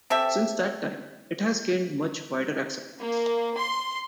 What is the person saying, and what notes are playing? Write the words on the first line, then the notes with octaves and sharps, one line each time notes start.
Since that time, it has gained much wider acceptance.
C4 G4 A4 E5
A#3
C6